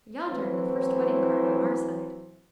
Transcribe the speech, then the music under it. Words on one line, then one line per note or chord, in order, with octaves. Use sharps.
"Yonder, in the first wedding-cart, on our side."
A2 E3 F#3 C4